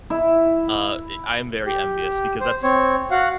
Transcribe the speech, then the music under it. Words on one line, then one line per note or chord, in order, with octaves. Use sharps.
uh, i I am very envious because that's
E4
G4
C5
C4 C#5
F#4 F5 F#5